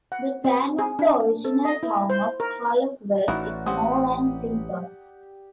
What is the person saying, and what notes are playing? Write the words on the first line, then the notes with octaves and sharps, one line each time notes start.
The plan of the Original Town of Carlock was small and simple.
F#5
C4
G#4
D4
A4
D#5
E4
C5
A#4
A1 D#4 E4 F#4 D5
C4 C#4 G4 F#5 D#6